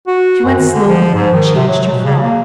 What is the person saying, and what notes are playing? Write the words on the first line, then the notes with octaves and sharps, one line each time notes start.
She went slowly and changed her frock.
F#4
F#2
D#3
D3
F3
G#2
D#3
C3
F#3
B2
C#3
A#3